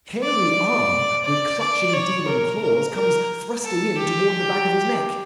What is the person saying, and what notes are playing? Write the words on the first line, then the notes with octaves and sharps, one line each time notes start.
A hairy arm with clutching demon claws comes thrusting in toward the back of his neck.
D5
D5
D5
C#5
A#4
A#4
A#4
A4
G4